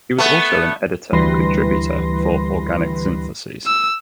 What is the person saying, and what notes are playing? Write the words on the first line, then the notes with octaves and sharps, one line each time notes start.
He was also an editor and contributor for "Organic Syntheses".
A3 B3
D2 E3 G3 B4 C6 A#6
E6